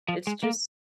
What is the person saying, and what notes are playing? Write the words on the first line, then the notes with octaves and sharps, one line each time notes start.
It's just
F3
G#3
A#3